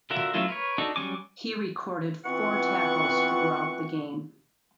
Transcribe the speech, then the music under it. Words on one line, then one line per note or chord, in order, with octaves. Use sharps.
He recorded four tackles throughout the game.
D3 F4 F#4 A#4 E5
F#3 A3 C#4 E4 F4
A#4 B4 C#5
D4 D#4 F#4 A4
F#3 G3 C#4 G#5 D6
E3 B3 C4 F4 F#5 C#6